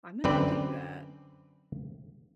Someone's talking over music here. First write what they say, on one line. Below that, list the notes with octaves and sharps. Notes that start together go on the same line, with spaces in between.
I'm gonna do that.
F#2 D3 C4 B4 D5